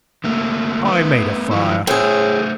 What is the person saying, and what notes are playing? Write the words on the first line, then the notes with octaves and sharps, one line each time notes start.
I made a fire.
D3 A3 A#3
A3 B3
F3 G#3 E4
A2 A3 G#4 C5 C#5